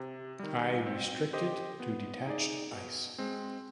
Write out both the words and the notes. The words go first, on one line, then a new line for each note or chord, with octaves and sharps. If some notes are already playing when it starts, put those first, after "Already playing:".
I restrict it to detached ice.
Already playing: C3
D#3 G3
C4
G4 C5 D#5
B3
D#4 G#4 D5
B2
G#3 C4